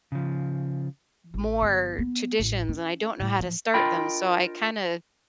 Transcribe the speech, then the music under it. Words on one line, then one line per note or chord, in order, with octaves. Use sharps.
more traditions and I don't know how to start them, so I kinda
C#3 F3
A1
G1
B3
A1
C#4
A2
F3
D4 F4 A#4 D#5 G5 B5